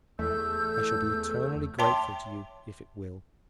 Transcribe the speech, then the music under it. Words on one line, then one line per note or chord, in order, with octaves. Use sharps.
I shall be eternally grateful to you if it will.
E2 A3 E6 G6
C#5 E5 G5 A5 C6 D6